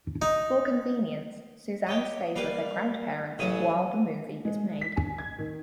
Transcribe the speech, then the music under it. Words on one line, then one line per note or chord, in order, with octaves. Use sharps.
For convenience, Suzanne stays with her grandparents while the movie is made.
D#4
G4 C#5 D#5
G3 A#3 B4 F5
A1 C#3 F#3 C#4 D#6
G#3
B6
G#5
G#6
D#3